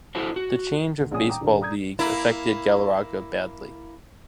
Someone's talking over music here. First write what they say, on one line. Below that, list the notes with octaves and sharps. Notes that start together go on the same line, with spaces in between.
The change of baseball leagues affected Galarraga badly.
E4 F#4 A4 C5 D5
F#4
D2
A#1 A#2 G#3 C#4 G#5 D#6
G5 A#5 D6 D#6
D#1 D4 A#4
D5 A#5 D#6 G6 G#6
A#3 E4